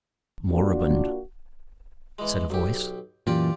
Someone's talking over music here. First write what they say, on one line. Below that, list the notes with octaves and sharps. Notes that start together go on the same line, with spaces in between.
"Moribund," said a voice.
A#3 D4 F4 F#4
E3 G#3
B1 G4
F#2 A#2 E3 F4 G4 D5